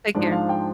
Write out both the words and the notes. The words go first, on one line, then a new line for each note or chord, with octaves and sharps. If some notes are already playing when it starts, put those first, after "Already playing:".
Take care.
G#2 F3 G#3 D4 D5
F5
G5